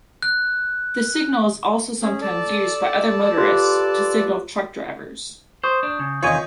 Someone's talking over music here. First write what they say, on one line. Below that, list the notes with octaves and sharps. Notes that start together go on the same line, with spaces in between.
This signal is also sometimes used by other motorists to signal truck drivers.
F#6
C#4 G#4
A4 D5 A5
F4 G4 B4
C5 C#6 D#6 G6
D4
C#3
E2 C3 D#3 F4 C#5 D#5 G#5